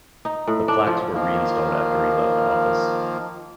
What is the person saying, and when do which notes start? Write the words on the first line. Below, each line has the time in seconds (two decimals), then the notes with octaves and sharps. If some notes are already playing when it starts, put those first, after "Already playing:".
The plaques were reinstalled after he left office.
0.25 D#4
0.47 A2
0.68 D4
0.87 F3
1.14 D#3 F3 A#3